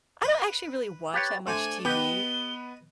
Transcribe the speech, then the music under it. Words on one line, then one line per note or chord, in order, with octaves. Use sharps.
I don't actually really watch that much TV.
B4
G4 B4 C#5 A6
A3 D4 C5 G#5
B3 G4 B4 D#5 G7